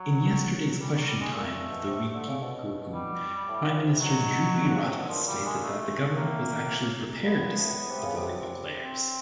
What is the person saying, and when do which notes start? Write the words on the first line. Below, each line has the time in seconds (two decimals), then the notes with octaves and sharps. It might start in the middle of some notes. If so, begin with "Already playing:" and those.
In yesterday’s Question Time of the Riigikogu, prime minister Jüri Ratas stated that the government was actually prepared to support the volleyball players.
Already playing: F#3
0.80 G3
0.94 F#3
1.07 G3
1.20 G#3
1.33 A#2 A3
1.51 A#2
1.69 B2
1.87 C3
2.14 D3
2.27 C#3
2.41 B2
2.94 G3
3.48 A2
3.66 A#2
3.84 C3
4.01 B2 F#3
4.62 D3
4.74 C#3
4.85 C3
4.96 B2
5.08 A#2 F3
5.27 G3
5.44 G#3
5.62 A3
6.16 A2 A#3
7.22 A#2 B3
7.35 A2
7.40 A#2
7.58 A2
7.90 C3
8.03 C#3
8.16 C3
8.83 C4